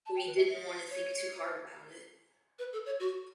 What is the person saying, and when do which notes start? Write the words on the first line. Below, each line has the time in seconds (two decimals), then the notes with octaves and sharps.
We didn’t want to think too hard about it.
0.06 A5
0.16 G5
0.27 B4
0.37 E5
0.90 C#5
2.59 B4
2.73 A4
2.86 C#5
3.00 F#4